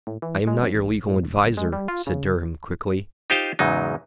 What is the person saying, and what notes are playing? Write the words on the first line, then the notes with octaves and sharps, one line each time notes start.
"I am not your legal adviser," said Durham, quickly.
A2
E3
G#3
F#2
A1
A2
E1
G1
G#3
G3
F4
C#3
D#4 F4 G4 C5 D#5 F5
E2 G#2 C#3 F#3 D#4